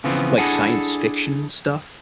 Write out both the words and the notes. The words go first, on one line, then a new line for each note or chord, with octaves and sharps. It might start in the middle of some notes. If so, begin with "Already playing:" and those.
like, science fiction stuff?
C#3 E3 F3 B3 C4
D4 E4 G#4 A4 F#5 G#5